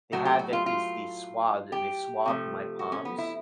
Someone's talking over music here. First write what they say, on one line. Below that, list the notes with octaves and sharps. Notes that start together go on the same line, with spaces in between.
they had, like, these these swabs, and they swabbed my palms,
A2 F#3 A3 F#4
G4
F#4
F4
F4
G4
C3 F3 A3
F#4
C#4
B3
E4